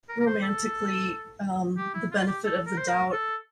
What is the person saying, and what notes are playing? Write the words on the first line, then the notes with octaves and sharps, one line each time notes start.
romantically, um, the benefit of the doubt.
A#4
A#4
C5
A4
G4
E4
F4
G4
A4
A#4
C5
A#4
A4